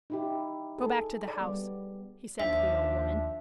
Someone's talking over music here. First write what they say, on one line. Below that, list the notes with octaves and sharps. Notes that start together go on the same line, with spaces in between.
"Go back to the house," he said to the old woman.
D#4 E4 G4
G#4 A4
D5
G3 B3
D#2 F3 D4 E5